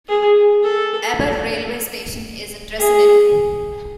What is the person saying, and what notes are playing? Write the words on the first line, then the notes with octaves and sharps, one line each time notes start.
Aber railway station is in Trecenydd.
G#4
A4
G#4